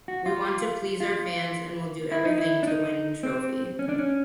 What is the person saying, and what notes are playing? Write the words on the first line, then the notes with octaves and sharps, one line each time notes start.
We want to please our fans and will do everything to win trophy.
F#4
F4
F4
E4
D#4
E4
D4
D#4
C4
C#4
D4
C#4